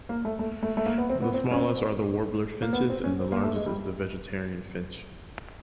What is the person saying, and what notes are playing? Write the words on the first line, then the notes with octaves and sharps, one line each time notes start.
The smallest are the warbler-finches and the largest is the vegetarian finch.
A#3
A3
A3
A3
A3
A#3
B3
C4
B3
C4
C#4
C4
A#3
B3
C4
C#4
C4
A#3
A3
G#3
G3